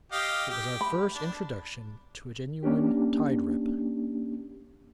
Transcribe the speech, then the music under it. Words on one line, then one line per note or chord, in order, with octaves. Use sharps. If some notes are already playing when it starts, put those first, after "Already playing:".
It was our first introduction to a genuine tide rip.
G4 D#5 F5
G4
B5
D4
A#3 C#4 D4 G4